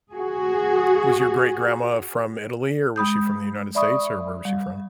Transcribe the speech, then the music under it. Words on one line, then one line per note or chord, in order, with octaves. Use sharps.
was your great grandma from Italy or was she from the United States or where was she from?
F#4 G#4
G#3 B5 D#6 G6
D5 E5 B5 C#6 D#6
G3